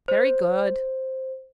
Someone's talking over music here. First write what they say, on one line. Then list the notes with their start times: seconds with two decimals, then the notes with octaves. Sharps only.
Very good.
0.08 C5